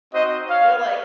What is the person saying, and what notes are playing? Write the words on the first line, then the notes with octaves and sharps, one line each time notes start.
they're like,
C4 D#4 F#4 C5 D#5
C#5 F5